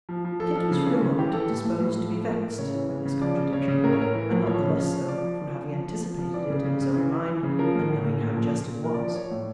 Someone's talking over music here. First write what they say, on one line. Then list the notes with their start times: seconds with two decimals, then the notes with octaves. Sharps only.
Kit was for a moment disposed to be vexed by this contradiction, and not the less so from having anticipated it in his own mind and knowing how just it was.
0.09 F3
0.25 F3
0.40 F3 A4
0.55 F3
0.71 C#3
0.86 E3
1.02 C#3
1.18 E3 G4
1.33 E3 A4
1.50 A2
1.65 A2
1.80 A2
1.96 F3
2.12 F3
2.28 A2 A#4
2.43 A2
2.58 C#3 C#5
2.75 E3
2.90 C#3
3.05 C#3
3.21 F3 D5
3.37 C#3
3.52 C#3 C#5
3.68 C#3
3.84 A2 A#4
3.93 C#5
3.99 A2 A#4
4.15 E3
4.31 A2
4.46 F3 C#5
4.62 C#3
4.77 F3
4.93 F3
5.08 F3 D5
5.24 F3
5.40 F3
5.56 F3
5.72 F3
5.87 F3
6.02 F3
6.18 F3
6.34 E3 D5
6.50 C#3
6.65 C#3
6.81 C#3
6.96 E3
7.12 E3
7.28 E3
7.43 C#3
7.59 F3 A#4
7.74 A2
7.90 A2
8.05 A2
8.21 A#2
8.37 F3
8.53 A#2
8.68 A#2
8.84 F3 A#4
8.94 D5
8.99 F3
9.04 D5
9.15 F3 C#5
9.31 A2